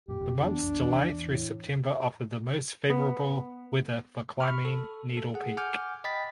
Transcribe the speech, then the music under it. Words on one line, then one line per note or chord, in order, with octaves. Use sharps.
The months July through September offer the most favorable weather for climbing Needle Peak.
F#2 A#2 G4
F1 F2 C3
E3 B3 D4
B1 F2
E2 E3
A2
B3
B5 C#6 F6
A4
A4
G#4 F#5
F#5 G#5 D6 F6 G6
D#5 G5 B5 A6 B6